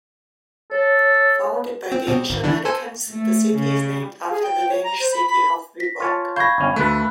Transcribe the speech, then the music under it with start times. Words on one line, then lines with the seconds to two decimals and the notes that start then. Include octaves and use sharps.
Founded by Danish-Americans, the city is named after the Danish city of Viborg.
0.71 A4 C#5
1.92 C4
2.07 B2 C4
2.30 G#1
2.43 D3 E3 D4
2.65 A4 C5 G#5
3.09 A3
3.54 C#3
4.31 G#4
4.43 G5
4.70 C#5
4.84 A#5
5.00 C5
5.12 B5
5.26 B5
5.80 A#6 B6
6.00 F4 C#5 G#5 A5
6.36 F5 B5 C#6 G6 G#6 A#6
6.58 G1 C#4
6.76 D2 A3 A4 B4 B5 F#6